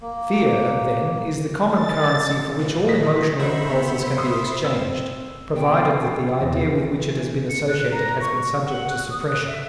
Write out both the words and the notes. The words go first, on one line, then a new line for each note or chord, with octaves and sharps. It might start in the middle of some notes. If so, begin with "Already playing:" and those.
Fear then is the common currency for which all emotional impulses can be exchanged, provided that the idea with which it has been associated has been subject to suppression.
A#3
A6
A#2 E3
D#5 B6
D#4 F#4 C5 E5 B5
B3
C6 D#6 E6
C4 E6
B2 G5
E2
E3
C#7
F#6
A#5
C#6
F#5
F#6
D#6
F#6
E5